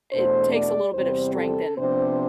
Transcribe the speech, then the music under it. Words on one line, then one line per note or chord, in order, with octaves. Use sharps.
it takes a little bit of strength and
E2 B2 A3 D4 C5
D5
E2 C3 G3 C4 C5
A4
C3 F3 B3 D4 C5